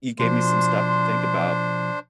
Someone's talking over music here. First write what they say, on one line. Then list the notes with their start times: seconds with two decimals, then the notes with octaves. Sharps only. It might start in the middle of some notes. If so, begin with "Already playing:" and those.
You gave me some stuff to think about.
0.19 B2 F3 D4 C5 C6